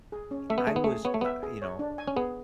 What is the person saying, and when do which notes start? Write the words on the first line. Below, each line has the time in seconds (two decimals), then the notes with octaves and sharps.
e I was, uh, you know,
0.12 G#4
0.31 C#4
0.50 A3 E5
0.58 B3
0.67 A3 G#4
0.76 B3
0.84 A3 G#4
1.05 B3 C#5
1.14 A3
1.21 B3 E5
1.43 G#4
1.62 C#5
1.79 D4
1.98 G#5
2.08 C#4
2.16 B3 G#4